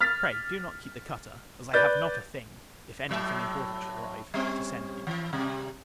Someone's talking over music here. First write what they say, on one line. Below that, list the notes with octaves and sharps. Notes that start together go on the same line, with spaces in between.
Pray, do not keep the cutter; as I have not a thing, if any thing important should arrive, to send you.
F6 A6 B6
B4 D5 G6 A6
A2 F#3 E5
G3 C4 C#4
E3
C3 G3